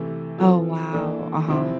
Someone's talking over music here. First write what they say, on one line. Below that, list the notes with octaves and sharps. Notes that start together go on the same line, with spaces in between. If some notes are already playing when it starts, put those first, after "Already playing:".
Oh, wow. Uh-huh.
Already playing: C3 E3 A3
F3 C4 F4 A4
E3 A#3 D4 A4
C3 F3 C4 E4